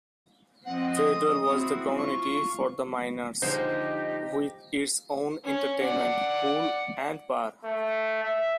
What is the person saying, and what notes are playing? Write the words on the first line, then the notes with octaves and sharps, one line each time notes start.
Treadwell was the community for the miners, with its own entertainment, pool, and bar.
F3 C4 D#5 F#5
D#6
C4 E4 F#4
F4 C#6
D3 F3 G#3 D#4 G4 C5
C#4
D5 F#5
A3
E5